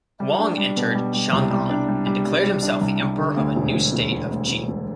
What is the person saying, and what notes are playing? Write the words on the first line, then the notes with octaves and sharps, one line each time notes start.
Huang entered Chang'an and declared himself the emperor of a new state of Qi.
G3
D4
G3
B2
G3
G3
C2
G3
D4
G3
G3
G3
G3
D4
C2
G3
D3
D2
E1
E1
E1
E1
D2
D2
E1